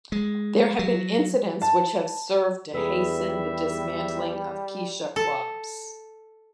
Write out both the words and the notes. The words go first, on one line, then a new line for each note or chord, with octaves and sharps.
There have been incidents which have served to hasten the dismantling of kisha clubs.
G#3
F#3
A5
E2 G3 G#4 A4 B4 E5
A4